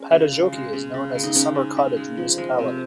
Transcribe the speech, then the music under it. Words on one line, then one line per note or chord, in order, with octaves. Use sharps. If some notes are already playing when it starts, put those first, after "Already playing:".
Padasjoki is known as a summer cottage municipality.
Already playing: G#3 C#4
C#3
G#3
G#3
C#3
C#3
G#3
D#4
G#3 C#4
C#3
C#3
G#3
F3
G#3
C3